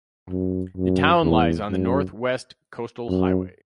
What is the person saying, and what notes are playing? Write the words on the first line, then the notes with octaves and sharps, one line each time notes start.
The town lies on the North West Coastal Highway.
F#2
F#2
E2
F#2
F#2